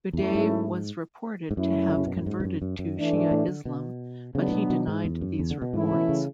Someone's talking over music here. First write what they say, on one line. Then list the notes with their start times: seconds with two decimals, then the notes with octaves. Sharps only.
Uday was reported to have converted to Shia Islam, but he denied these reports.
0.13 E2
0.18 F#2 F#3 A3 C#4 E4
0.35 G#2
1.51 G#2
1.57 F#2 F#3 A3 C#4 E4
1.88 D3
1.97 C#3
2.07 B2
2.17 A2
2.26 G#2
2.40 E2
2.44 F#2
2.62 F#2
2.79 F#2
2.96 E3 A3 D4
3.13 G#2
3.31 A2
3.48 D3
3.65 B2
4.35 C#3 F#3 B3 D4
4.48 A2
4.52 B2
4.70 B2
4.88 G#2
5.05 E2
5.21 F#2
5.39 E2
5.51 D3
5.62 B2
5.73 G#2 E3 A3 C#4 E4
5.91 B2
6.09 C#3